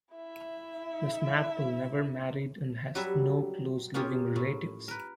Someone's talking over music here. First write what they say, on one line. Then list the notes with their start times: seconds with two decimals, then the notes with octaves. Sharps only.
Miss Marple never married and has no close living relatives.
0.14 E4 E5
2.95 F#3 G3 B4 C#5 E5
3.94 A#3 C#4 F4 G4 G#4 C#5
4.36 A2
4.88 A#4 B4